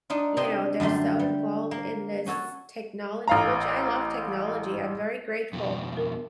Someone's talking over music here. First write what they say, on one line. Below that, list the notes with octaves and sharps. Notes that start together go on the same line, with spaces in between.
you know, they're so, involved in this technology which I love technology, I'm very grateful
D4 D#4 F4
C3 D4 G4 D#5 C6
F#2 D3 G3 A3 C6
G3
A#3
C#4 F#4 A4 C#5
A1 F5 A#5
F2 B2
A#4